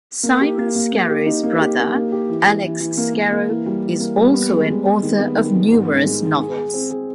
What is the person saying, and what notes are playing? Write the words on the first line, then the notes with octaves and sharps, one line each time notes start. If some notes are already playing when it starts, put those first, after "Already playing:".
Simon Scarrow's brother, Alex Scarrow, is also an author of numerous novels.
A#3
G4
A#3
A#3
A#3
G4
D#4
A#3
G4
A#3
A#3
G4
E3
E3
E3
E3
A#3
A#3
A#3
E3
G3
E3
A#3
G3
B3
G#3
G#3
G#3
D#3
B3
D#3
B3
G#2
G#3
G#3
D#3
G#4
G#4
C4
G#4